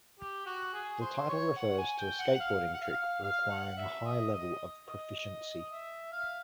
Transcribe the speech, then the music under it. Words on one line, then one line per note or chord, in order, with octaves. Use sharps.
The title refers to a skateboarding trick requiring a high level of proficiency.
G4
F#4
G#4
C5
C#5
F#5
G#5
G5
F#5
F#5
F5
F#5
F5
F5
F#5
E5
D#5
D#5
D#5
E5
F5